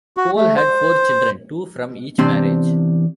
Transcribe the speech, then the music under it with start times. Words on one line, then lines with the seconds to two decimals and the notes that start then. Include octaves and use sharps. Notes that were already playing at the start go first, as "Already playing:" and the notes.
Cole had four children, two from each marriage.
0.17 F#4
0.36 A3
0.56 C5
2.19 E2 C3 C4 D4 C5 C6